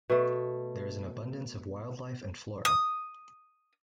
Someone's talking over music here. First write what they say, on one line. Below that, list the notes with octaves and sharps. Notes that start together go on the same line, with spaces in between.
There is an abundance of wildlife and flora.
B2 A3
D#6